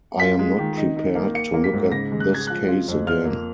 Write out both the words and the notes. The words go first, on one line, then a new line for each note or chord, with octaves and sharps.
I am not prepared to look at this case again.
F4 B6
G#3
D#3
D#4
D#4
A#3
A#3 C#7
A#3
B6
G#2
C#3 A#6
G#3
F#6
G#3 G#6
F3 F#6
F4
F2
F4 F6
A#3